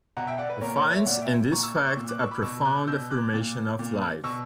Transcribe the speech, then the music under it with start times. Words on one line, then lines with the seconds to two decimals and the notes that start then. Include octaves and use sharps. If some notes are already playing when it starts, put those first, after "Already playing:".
He finds in this fact a profound affirmation of life.
0.17 B2 F#5 A#5
0.27 E5 G5
0.38 D5 F#5
0.49 B4
0.61 A#2 A#4 C#5
0.76 A#4 C#5
0.91 C#5 E5
1.06 A#2 D5 F#5
1.22 E5 G5
1.52 A#2 A#5 C#6
1.63 C#6 E6
1.75 D6 F#6
1.86 C#6 E6
1.97 A#2
2.09 D6 F#6
2.20 C#6 E6
2.31 B5 D6
2.42 B2 C#6 E6
2.65 D6 F#6
2.87 B2 E6 G6
3.10 D6 F#6
3.34 A#2
3.79 A#2
4.24 B2 C#6 E6